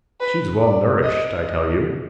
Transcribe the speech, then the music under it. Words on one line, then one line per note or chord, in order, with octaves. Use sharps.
She's well nourished, I tell you.
B4
D5
D#5
D#5